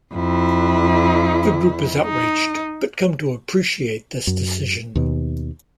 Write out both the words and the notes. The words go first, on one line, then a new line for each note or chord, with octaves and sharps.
The group is outraged, but come to appreciate this decision.
F2 E4
D#4
F#2
D#2 B2